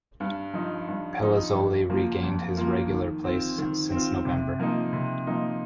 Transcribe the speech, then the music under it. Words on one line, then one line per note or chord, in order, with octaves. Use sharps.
Pelizzoli re-gained his regular place since November.
G2
F3 D#4
G2
F3 D#4
F2
F3 A#3 F4
F2
F3 A#3 F4
D#3
C4 F4
D#3
C4 F4
C3
F3 A#3 D#4
C3
F3 A#3 D#4